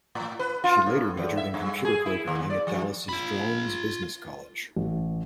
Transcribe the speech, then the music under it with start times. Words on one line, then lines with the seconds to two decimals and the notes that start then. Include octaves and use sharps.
She later majored in computer programming at Dallas's Draughon's Business College.
0.15 A2
0.39 B4
0.64 F4
0.86 A2
1.17 E2
1.37 E5
1.54 G2
1.85 G#4
2.06 E4
2.28 D#2
2.50 D5
2.67 F3
3.09 F4 B5
4.76 A1